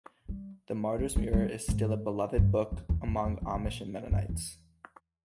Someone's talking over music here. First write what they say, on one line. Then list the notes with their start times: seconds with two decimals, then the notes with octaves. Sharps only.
The "Martyrs Mirror" is still a beloved book among Amish and Mennonites.
0.29 G3
0.99 G#3
1.16 G#3
1.33 G3
1.68 G#2
2.38 G2
2.72 F2
2.89 E2
3.07 F2
3.25 F2
3.42 E3
3.54 C3
3.65 A#2
4.11 G2
4.29 E2